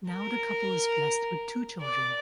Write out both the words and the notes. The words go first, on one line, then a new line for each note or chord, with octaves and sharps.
Now the couple is blessed with two children.
A#4
D5